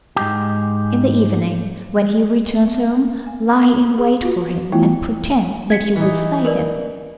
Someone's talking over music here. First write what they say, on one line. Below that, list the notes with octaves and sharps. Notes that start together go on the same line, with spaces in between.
In the evening, when he returns home, lie in wait for him and pretend that you will slay him.
G#2 G#3 G4
B3
G#5
G#4
F4 F#4
E3 A3 B3 E4 F4 G5
G#6 B6 C#7
E3 D#4
A#4 B4 D5